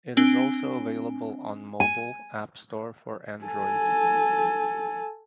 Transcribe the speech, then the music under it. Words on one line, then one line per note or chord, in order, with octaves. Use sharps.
It is also available on mobile App Store for Android.
C4 D4 G#5 D7 G7
G#5
A4 G#5